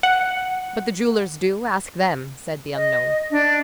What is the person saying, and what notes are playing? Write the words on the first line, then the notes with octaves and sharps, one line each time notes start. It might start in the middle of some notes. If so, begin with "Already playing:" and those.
"But the jewelers do: ask them," said the unknown.
F#5
D#5
D4